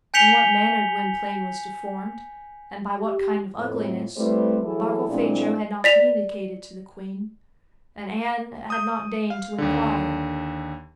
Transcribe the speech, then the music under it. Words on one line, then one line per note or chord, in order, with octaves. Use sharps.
In what manner Gwynplaine was deformed, and by what kind of ugliness, Barkilphedro had not communicated to the queen, and Anne had not deigned to inquire.
G#5 G6 B6 C#7 F7 G7
G4
F2 A2
G3 A3 C4 E4 B4 C5
E3 F#3 E4 G#4 A4
A#2 F3 G#3 C4 D4 E4
D5 B6 F7
D#6 G6
F5
D#2 D3